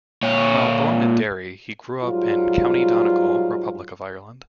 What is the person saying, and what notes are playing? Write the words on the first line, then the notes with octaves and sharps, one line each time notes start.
While born in Derry, he grew up in County Donegal, Republic of Ireland.
A#2 C#5
G#2 F#3 G3 F4